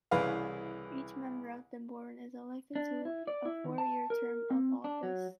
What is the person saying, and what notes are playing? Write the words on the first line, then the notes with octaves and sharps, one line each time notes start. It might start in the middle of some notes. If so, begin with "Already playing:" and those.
Each member of the board is elected to a four-year term of office.
C2 C#3 E3 B4 F5
D4
E4
D5
E4
D#3
A5
A#4
C4
D4
F#3